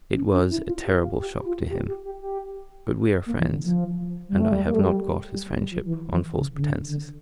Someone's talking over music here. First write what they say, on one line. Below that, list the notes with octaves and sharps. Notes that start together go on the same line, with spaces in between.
It was a terrible shock to him, but we are friends, and I have not got his friendship on false pretences.
C#4
C#4
E4
F4
G4
F4
G4
F4
G4
G4
G4
G4
A#3
E3
D3
F3
G3
A3
G3
A#3
A3
G3
G3
G3
F3
E3
E3
C#3
C#3
D3
D3